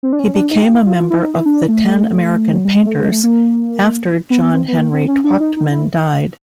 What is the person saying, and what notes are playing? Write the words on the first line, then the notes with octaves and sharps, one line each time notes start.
He became a member of the Ten American Painters after John Henry Twachtman died.
C4
D4
C#4
D4
D#4
G4
E4
F4
F4
E4
D#4
E4
D4
A3
F#3
G3
G#3
A3
G#3
A3
A#3
B3
B3
C4
B3
A#3
C4
C#4
D4
D#4
D#4
E4